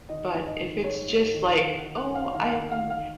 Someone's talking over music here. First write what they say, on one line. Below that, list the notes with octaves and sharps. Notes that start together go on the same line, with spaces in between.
but if it's just, like, "Oh, I'm"
D#3 D#5
G#2
D#5
D#3
G#2 C#5
G#2
D#3
D#3 F5
F#5
D#3
F#5
F#2
F5
D#3 F5
F5
F#5
D#3
F5
D#3
F5